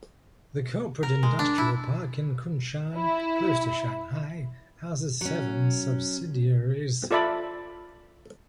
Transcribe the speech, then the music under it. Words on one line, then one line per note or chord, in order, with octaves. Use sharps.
The corporate industrial park in Kunshan, close to Shanghai houses seven subsidiaries.
A#4
G#3
D4
E4
E4
F#3 C#4
F4 A4 D5 E5 B5